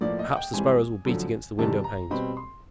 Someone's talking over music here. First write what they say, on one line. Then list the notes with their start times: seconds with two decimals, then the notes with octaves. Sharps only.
Perhaps the sparrows will beat against the windowpanes!
0.01 A2 F3 A#3 D5
0.19 D#5
0.32 F#5
0.37 G5
0.54 G#2 E3 G3 C4 G#5
1.06 F#2 D3 F3
1.58 E2 C3 D#3 G3 A5
1.84 A#5
2.10 B2 G3 C4 B5
2.37 C6